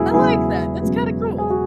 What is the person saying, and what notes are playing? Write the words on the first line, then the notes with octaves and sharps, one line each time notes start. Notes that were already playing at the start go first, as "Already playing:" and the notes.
I like that, that's kinda cool.
Already playing: E1 E2 C#3 F#3 B3 E4 F#4 G#4
E1 E2 C#3 F#3 B3 E4 G#4
E1 E2 C#3 F#3 B3
G#4
F#4